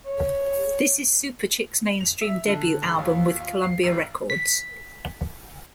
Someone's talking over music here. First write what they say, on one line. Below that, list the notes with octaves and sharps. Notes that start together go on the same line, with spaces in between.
This is Superchick's mainstream debut album with Columbia Records.
C#5
F7
E5
D3
G#2
D#2
F4
C7
G#1
B6